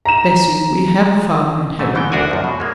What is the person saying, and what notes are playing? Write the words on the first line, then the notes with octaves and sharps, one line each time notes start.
'Bessy--we have a Father in Heaven.'
A#5 E7
G#2 A3 A5
G#2 E3 B3 D#4 G5
D2 D4 F#4 A#4 G#5
F#2 F3
B2
G#3 A#3